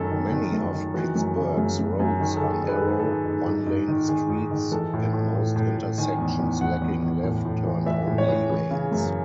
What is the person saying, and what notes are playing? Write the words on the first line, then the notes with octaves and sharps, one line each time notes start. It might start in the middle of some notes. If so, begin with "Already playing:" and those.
Many of Pittsburgh's roads are narrow, one-lane streets, and most intersections lacking left-turn-only lanes.
Already playing: F#2 D#3 A4
D#3
D#3
F#2
D#3
E3 F#4
F#2
C#3
F#2
F#2
F#2
D#3 G#4
D#3 A4
G#4
D#3
B4
G#2 A4
G#4
D#3 A4
G#2
G#2
G#2
D#3
D#3 G#4
G#2
D#3
E3 A4
A2
A2
A2
A2
A2
D#3 G#5
E2
E2
E2 F#5
E2
E2
A2
A2
E3
E3 E5
A2
C#5
E3
E3
C#3
F#2